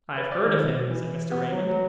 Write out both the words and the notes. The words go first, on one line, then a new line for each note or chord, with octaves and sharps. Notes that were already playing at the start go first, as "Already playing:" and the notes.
"I've heard of him," said Mr. Raymond.
B4
D5
D#3
B2
E3
B3
F#3
F#3